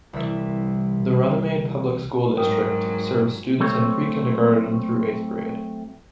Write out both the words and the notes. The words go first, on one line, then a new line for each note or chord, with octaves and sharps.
The Runnemede Public School District serves students in pre-kindergarten through eighth grade.
C2 E3 G3 E5
G#2 F#3 A#4 G5 D#6
F#3 A3 C4 C#5